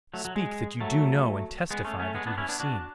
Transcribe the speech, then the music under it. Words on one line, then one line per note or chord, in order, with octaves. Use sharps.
Speak that you do know and testify that you have seen.
F#3 A3
F#3
G#3
F#3 A3
G#3 B3
A3 C#4
A3 C#4
G#3 B3
B3 D4
C#4 E4
B3 D4
D4 F#4